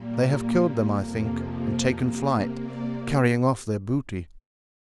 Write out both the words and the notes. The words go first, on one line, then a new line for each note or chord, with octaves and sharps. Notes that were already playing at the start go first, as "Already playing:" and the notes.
They have killed them, I think, and taken flight, carrying off their booty.
Already playing: A#2 G3 A#3
F2 C3 F3 A#3
G5
C3 A#3 F5
F5
D5